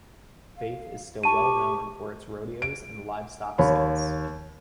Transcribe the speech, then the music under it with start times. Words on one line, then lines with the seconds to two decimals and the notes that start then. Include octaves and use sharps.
Faith is still well known for its rodeos and livestock sales.
0.57 F5
1.23 G4 A5 C#6 D#7
2.62 D7
3.58 D#2 C#5 B5